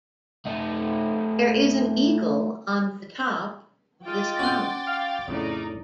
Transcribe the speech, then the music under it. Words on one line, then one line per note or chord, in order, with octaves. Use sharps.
There is an eagle on the top of this column.
A3 D#4
G#3 D#4 F4 G5 D6 A6
C#4 F#4 C6
F5
F2 A2 C#3 D#4 D5